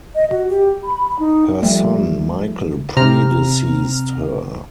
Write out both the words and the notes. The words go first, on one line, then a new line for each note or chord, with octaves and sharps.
Her son Michael pre-deceased her.
D#5
F#4
G4
B5
D#4
F3 G3 A3
C3 C4 A#5 F6